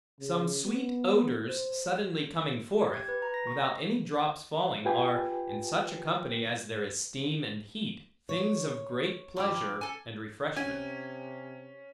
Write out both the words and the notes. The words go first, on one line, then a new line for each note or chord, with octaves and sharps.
Some sweet odors suddenly coming forth, without any drops falling, are, in such a company as there is steam and heat, things of great pleasure and refreshment.
C#3
B3
C5
G4
G#6
B4
A#5
A#6
C#6
D#5
F4 G4 B4 G5 G#5
C#5
G2 F3 G4
A4 G#5
C3 C#4 G#5